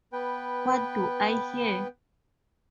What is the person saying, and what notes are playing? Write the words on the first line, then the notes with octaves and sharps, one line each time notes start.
What do I hear?
B3 B4 G5